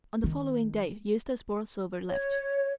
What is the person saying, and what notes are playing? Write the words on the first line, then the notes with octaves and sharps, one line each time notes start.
On the following day Eustace Borlsover left.
D#3
C#5